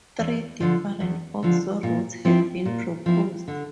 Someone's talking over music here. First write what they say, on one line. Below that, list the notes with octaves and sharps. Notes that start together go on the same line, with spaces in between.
Three different oxo-routes have been proposed.
E2
D3 F3
E2
D3 F3
A#2
F3 C4 E4
A#2
F3 C4 E4
D3